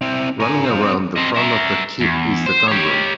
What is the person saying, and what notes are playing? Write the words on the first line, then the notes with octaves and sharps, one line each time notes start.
Running around the front of the keep is the gun room.
C4 E4
A#4 G#5
C4 F4
B3 C4
C4 D#5
A#4 E5
E2
C5
G4 C#5